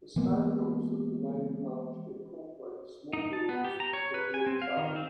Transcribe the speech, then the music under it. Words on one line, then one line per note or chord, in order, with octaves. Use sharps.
The spandrels of the main arch incorporate small rooms for weary travelers.
E3 G#3 A#3 B3
D#4
A5
B3
G4
A#5
C#5
B4
G#5
C4
F5
D#3
C4